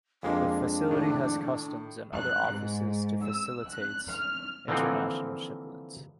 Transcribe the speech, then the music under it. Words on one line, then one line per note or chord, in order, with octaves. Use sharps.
The facility has customs and other offices to facilitates international shipments.
F2 G#3 A#3 D4
A2 D#3 C#4
F#6
G#2
E6
F#6
F6
D3 E3 F3 A#3 C4 D#4